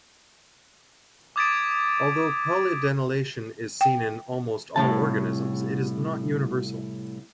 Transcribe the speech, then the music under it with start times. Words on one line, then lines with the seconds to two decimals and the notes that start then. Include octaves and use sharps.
Although polyadenylation is seen in almost all organisms, it is not universal.
1.36 D6 D#6 G#6 A6 B6 D7
3.81 G5
4.76 C2 A2 C#3 A5